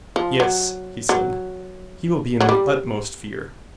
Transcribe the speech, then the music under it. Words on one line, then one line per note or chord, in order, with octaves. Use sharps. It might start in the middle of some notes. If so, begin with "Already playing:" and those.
Yes, he said, he will be in the utmost fear.
F3
F#3
F#3
F#3
G3